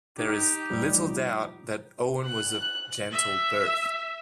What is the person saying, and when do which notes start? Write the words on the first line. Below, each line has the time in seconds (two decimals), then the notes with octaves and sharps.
There is little doubt that Owen was of gentle birth.
0.18 D#4 G4
0.70 A2 F3 G3
2.27 F#6
3.11 E5